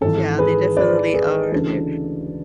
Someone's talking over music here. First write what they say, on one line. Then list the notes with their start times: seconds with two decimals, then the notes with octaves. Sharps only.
Yeah, they definitely are, they're
0.01 G#1 G#2 E3 A4
0.38 G#4 B4
0.77 B4 D5
1.14 G#4 B4
1.52 D2 C#3 E3 A4